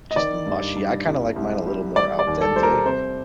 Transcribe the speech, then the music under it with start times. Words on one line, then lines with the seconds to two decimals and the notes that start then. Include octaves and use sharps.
just mushy. I kinda like mine a little more al dente,
0.11 D#5
0.16 D#3 D5
0.47 G2
0.77 G2
1.06 C2
1.36 C2
1.67 G3
1.96 G3 D5
2.19 D5
2.27 D#2
2.41 A4
2.56 G3 C5
2.63 A#4
2.86 C3 C5